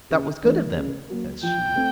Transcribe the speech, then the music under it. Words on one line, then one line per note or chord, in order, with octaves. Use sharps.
'That was good of them,' says she.
C#3
E3 A3 D4
C#3
F#3 A#3
F3 G5
A3 C4